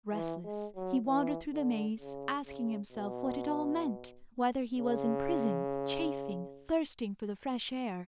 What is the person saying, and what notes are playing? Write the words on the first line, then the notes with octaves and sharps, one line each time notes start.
Restless, he wandered through the maze, asking himself what it all meant--whether he was in prison; chafing, thirsting for the fresh air.
E3
G#3
F#3
E3
D3
C#3
C#3
B2
C#3